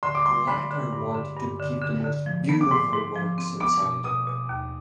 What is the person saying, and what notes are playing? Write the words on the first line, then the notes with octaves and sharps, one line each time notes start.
The latter wanted to keep the most beautiful works inside.
D3 C6
D6
G3 C6
D3 B5
D3
G2
D3
G2
D3
D3
D3
F3
B3
D6
G#2 C6
G#2
F3
C4
B3 D6
B2
B2 D#6
B2
D#2